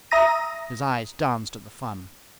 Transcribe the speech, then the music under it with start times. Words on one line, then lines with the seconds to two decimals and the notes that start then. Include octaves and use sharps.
His eyes danced at the fun.
0.11 E5 A#5 D#6 A#6 D#7